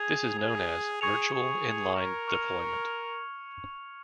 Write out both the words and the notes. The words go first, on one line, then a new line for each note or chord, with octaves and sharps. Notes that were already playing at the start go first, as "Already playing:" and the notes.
This is known as virtual inline deployment.
Already playing: G#4 G#6 F7
G#4
G#4 C#6 G#6 C#7 F7
G#4
A#4
C#6 F6 C#7 F7